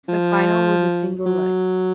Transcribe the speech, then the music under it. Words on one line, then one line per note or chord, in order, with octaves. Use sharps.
The final was a single leg.
F3
F#3